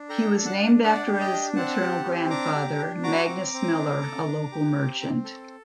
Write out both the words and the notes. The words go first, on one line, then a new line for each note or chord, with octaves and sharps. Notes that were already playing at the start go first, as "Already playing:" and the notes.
He was named after his maternal grandfather, Magnus Miller, a local merchant.
Already playing: D4
A4 G5 A#5
D4
F#5 A5
D4
D4 D5 F#5
G4
D#5 G5
D4
C4 F#5 A5
G4
C4
D4 A#5 D6
G4
D4
F#4 A#5 D6
C4
C4
D4
A4
D4
G4
C4
C4
A4